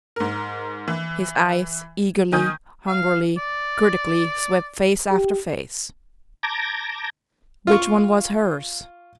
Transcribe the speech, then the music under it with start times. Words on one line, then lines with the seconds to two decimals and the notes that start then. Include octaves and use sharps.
His eyes, eagerly, hungrily, critically, swept face after face. Which one was hers?
0.16 G#2 A#4
0.88 E3
2.32 D#3 G#5 D#6 G6
2.87 F5
3.37 D5
5.11 G4
6.43 A5 A#5 D6 G6 G#6 A#6
7.67 F4 F5 C#6